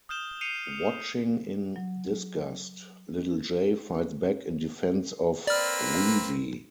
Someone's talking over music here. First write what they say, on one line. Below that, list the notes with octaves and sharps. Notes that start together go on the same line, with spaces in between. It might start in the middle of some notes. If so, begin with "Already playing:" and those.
Watching in disgust, Little J fights back in defense of Weezie.
D#6 F6 G6 E7 G7
C7 C#7 D#7 F7
F#3
A#3 C4 B4 D5 F6